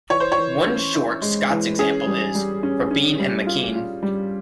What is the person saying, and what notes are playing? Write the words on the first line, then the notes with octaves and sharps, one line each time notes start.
One short Scots example is "Robene and Makyne".
E3 C#5
C5
C#5
E3
C#4
E4
G#3
E3
C#4 G#4
G3
G3
C#4
C#4
G3
F4
F4
G3